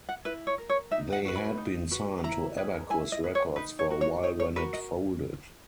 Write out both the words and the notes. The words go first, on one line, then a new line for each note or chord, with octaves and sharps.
They had been signed to Abacus Records for a while when it folded.
F#5
E4 B4
C#5
A#4
C#5
D#4 E5
F#5
F#4 B4
B5
D#4
F#4 B4
E4 A#5
G#4 B4
E4 G#5
D#5
G#4 B4
C#5
D#4 B4
C#5
F#4 A#4
C#5
D#4 C#5
C#5
F#4 A#4 B4
D#5